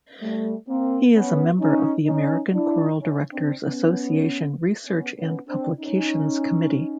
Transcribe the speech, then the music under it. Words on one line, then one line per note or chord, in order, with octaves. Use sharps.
He is a member of the American Choral Directors Association Research and Publications Committee.
G3 A3
A#3 C4
B3 C#4
C#4 D#4
C#4 D#4
D4 E4
C#4 D#4
C4 D4
B3 C#4
B3 C#4
B3 C#4
C4 D4
C#4 D#4